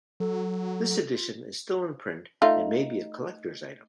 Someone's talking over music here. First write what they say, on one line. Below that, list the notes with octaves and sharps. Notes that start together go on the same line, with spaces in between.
This edition is still in print and may be a collectors item.
F#3 A4
F4
A3 D#4 F4